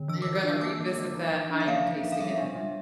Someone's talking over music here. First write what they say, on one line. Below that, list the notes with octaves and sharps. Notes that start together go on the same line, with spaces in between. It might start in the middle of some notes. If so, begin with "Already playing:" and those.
You're gonna revisit that iron taste again.
Already playing: D3
E3 E6
E3 D6
E6
D4
E6
A#3 D6
E3
E3
F3
F3
D4
E5
A#3 F5
F3
F3
F5
G3 E5
D4
G3